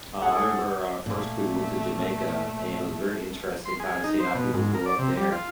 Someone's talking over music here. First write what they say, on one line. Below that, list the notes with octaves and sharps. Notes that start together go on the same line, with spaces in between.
Um, I remember on our first cruise, we went to Jamaica, and it was very interesting kinda seeing how people grew up there,
G#4 A4 F#5
A#2 A3
C6
G#4
D#4
C5
B2
G#2
A#4
D5
C3
G3
F4